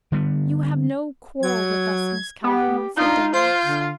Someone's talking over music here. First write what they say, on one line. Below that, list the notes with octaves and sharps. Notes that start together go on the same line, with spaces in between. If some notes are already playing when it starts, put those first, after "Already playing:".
"You have no quarrel with us, Miss Calhoun," said Dangloss.
D3 G3 B3
F#3 G#6
B3 G4
D4 D#4 F4
F4 C5 G6
D3